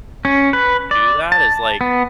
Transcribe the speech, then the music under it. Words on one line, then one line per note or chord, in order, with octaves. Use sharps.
do that is, like,
C#4
B4
D5
A5
B3